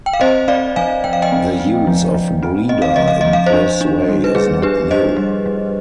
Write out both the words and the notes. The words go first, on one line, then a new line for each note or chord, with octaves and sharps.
The use of "breeder" in this way is not new.
G5
F5
C4 C5 D#5
C4 D5 F5
F3 F5 G#5
F3 G5
F5
D#5 G5
C4
C4
F3
F3
C4
C4 D#5
F5
F3 D#5
F5
F3 D#5
F5
C5 D#5
D4
D4
G3
B4
G3 G#4
D4 G4 B4
D4 C5 D#5
G3
G3